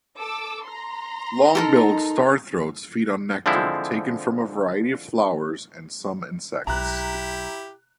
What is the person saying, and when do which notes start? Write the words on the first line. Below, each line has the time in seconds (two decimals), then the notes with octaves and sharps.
Long-billed starthroats feed on nectar, taken from a variety of flowers, and some insects.
0.18 A4 D6 E6
0.66 A#5 C6
1.55 D#4 G4 A4 A#4
3.46 D3 F3 G#3 C4 E4
6.67 B1 E4 G4 A#5 F#6